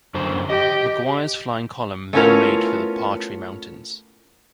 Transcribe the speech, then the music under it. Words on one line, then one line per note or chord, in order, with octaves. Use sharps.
Maguire's flying column then made for the Partry Mountains.
F#2 D3 C5
G4 D#5
A3 B3 C#4 E4 F4 A#4